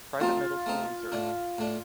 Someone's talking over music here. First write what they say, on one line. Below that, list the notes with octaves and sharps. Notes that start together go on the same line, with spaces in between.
Private middle school in Zurich.
A3 C4 D#4 F4
A3 C4 D#4
A2 A3 D4
A2 A3 D4